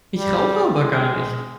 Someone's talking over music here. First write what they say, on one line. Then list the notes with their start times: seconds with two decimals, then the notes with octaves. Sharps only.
Ich rauche aber gar nicht!
0.17 G3
0.83 G#3